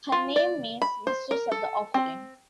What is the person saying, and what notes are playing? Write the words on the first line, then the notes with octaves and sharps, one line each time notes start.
Her name means "mistress of the offering".
F4
D5
B5
C5
A#4
A4
C4